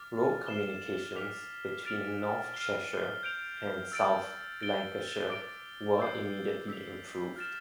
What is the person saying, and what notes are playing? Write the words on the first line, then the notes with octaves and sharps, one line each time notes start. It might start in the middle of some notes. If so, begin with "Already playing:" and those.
Road communications between north Cheshire and south Lancashire were immediately improved.
Already playing: D6 F6 A6
F6 C7 E7 G7
D6 F6 B6 F7
F6 A6 D7 F7
F6 C7 G7
G6 D7 F7
E6 A6 D7
A6 D7 G7
D6 A6 D7
E6 G6 C7
E6 B6 F7
F6 A6 E7